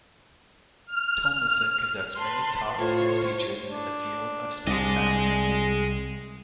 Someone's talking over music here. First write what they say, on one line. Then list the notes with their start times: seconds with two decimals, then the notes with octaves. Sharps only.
Tumlinson conducts many talks and speeches in the field of space advocacy.
0.86 F6
2.18 B4 A5 C6
2.79 A2 F4 C5 C#5
3.68 D4
4.67 C2 G#4 D#5